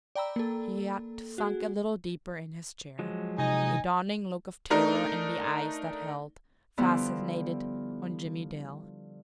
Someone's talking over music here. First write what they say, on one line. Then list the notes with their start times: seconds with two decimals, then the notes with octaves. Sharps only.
He had sunk a little deeper in his chair--a dawning look of terror in the eyes that held, fascinated, on Jimmie Dale.
0.15 D5 G5 A#5 B5 E6
0.36 A#3 A4
1.38 F#4 G#4
2.99 F3 F#3 G#3
3.38 C3 D#4 D#5 G#5
4.70 A3 D4 D#4 A#4
6.78 D3 F3 G3 B3 E4 F4